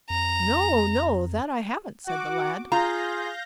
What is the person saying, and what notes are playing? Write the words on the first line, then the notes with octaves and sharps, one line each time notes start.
'No, no; that I haven't', said the lad.
F2 A#5
F#4 F#5 D6
F4 G#4 F5 A#5 G6 A#6